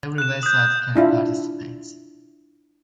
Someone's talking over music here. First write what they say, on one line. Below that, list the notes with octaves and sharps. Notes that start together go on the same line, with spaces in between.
Every website can participate.
F#6 E7
D#6 G6
D4 E4 F4